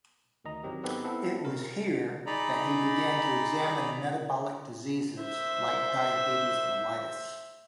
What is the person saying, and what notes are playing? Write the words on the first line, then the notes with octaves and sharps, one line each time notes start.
It was here that he began to examine metabolic diseases like diabetes mellitus.
D2 D#3 D#5 A#5
G#1 D#3 F#3 C4 G4
B3 C4 D#4 G4 A4 B4
B3 C4 E4 A4
B2 A#4
D#4 G#4 D5 A#5 B5
C5 E5